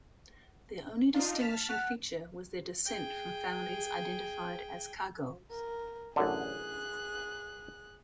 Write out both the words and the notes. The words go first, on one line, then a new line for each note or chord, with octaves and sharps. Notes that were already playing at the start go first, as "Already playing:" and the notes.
Their only distinguishing feature was their descent from families identified as Cagots.
D4 D#4 F4
A5 F6 B6
F#5
G#4 G5
A#4
A1 F#2 D3 G#4 F#6